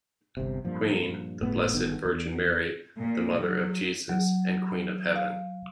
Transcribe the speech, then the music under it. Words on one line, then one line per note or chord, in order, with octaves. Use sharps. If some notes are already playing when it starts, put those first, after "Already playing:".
Queen: the Blessed Virgin Mary, the Mother of Jesus and Queen of Heaven.
G1 C3
G2 A#2 F3
G1 A2 B3
G1 D#3 B3
E2
A#2
F#3
F#3
F5